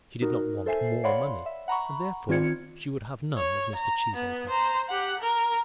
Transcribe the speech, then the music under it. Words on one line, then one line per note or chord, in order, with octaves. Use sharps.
She did not want more money, and therefore she would have none of Mr. Cheesacre.
D#4 F#4 A#4
A4 C5 E5 G#5 C7
C#5 D5 F5 F#5 B5 C6
E5
F#5 A#5 B5 C#6
D#3 C4 F4 D5 G#6 C#7
C#5
A#5
B3
C5 A#5
G4 F#5
A#4